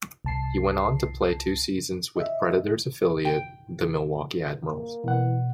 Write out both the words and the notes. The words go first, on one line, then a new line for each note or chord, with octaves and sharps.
He went on to play two season's with Predators affiliate, the Milwaukee Admirals.
C2 A5 C7
D#5 E5
G5
A#3
B2 E3 F#5